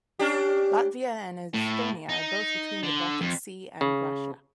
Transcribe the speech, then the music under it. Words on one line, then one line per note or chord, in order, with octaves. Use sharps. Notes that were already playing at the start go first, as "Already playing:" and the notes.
Latvia and Estonia are both between the Baltic Sea and Russia.
C#4 D4 G4
A2
D#4
D3
F2
C#3